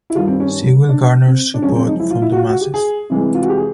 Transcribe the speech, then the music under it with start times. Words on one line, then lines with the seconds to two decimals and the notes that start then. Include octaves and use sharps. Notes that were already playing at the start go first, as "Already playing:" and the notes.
She will garner support from the masses.
0.10 E4
0.15 G2 D#3 G3 F4
0.28 C4
0.40 C#4
0.89 D4
1.26 C4
1.54 D4
1.62 F#2 C#3 F3 G#3 C#4
1.76 C4
1.87 D#4
2.00 E4
2.10 F4
2.22 E4
2.32 F#4
2.36 F4
2.49 F#4
2.61 G4
2.74 G#4
3.10 C3 E3 G#3
3.35 F4
3.42 F#4
3.49 G4
3.57 G#4